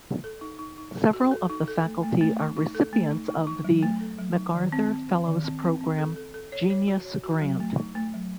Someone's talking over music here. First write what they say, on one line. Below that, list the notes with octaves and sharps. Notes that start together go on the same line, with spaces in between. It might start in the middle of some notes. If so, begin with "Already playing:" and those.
Several of the faculty are recipients of the MacArthur Fellows Program "genius grant".
A4
D#4
D#4
D#4
A4
F#4
A4
D#4
A4
A3
A3
A3
D#4
D#4
A4
A3
D#4
D#4
D#4
F#3
A3
A4
F#3
D#4
D#3
C4
C4
C4
D#3
C4
C4
C4
A4
A4
A4
C#5
C#5
F#4
C#5
F#4
F#3
A3
D#4
A3
F#3